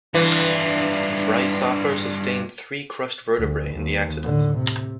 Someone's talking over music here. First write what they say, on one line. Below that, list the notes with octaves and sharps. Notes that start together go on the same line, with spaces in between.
Friesacher sustained three crushed vertebrae in the accident.
G2 E3 D4 F4
D2
D#2
A2 D3
C3